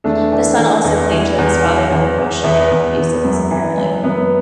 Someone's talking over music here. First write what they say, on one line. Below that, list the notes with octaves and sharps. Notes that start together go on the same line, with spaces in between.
The son also claimed that his father had been emotionally abusive his entire life.
E2 A3 D4
E3
E3
E2
E3
E2
E3
E2
E2
E2 B3 E4
E2
E2
F#2
E3
F#1
F#2 B3